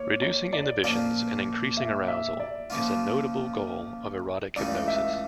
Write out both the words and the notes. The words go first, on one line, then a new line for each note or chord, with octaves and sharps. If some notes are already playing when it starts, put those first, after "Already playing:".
Reducing inhibitions and increasing arousal is a notable goal of erotic hypnosis.
Already playing: A#3 C#5
C#5
D5
A#2 F3 A#3 C#4 D5
E5
E5
D5
C#3 F3 A#3 C#4 F4
C#2 C#3 E3 A3 C#4 D5
E5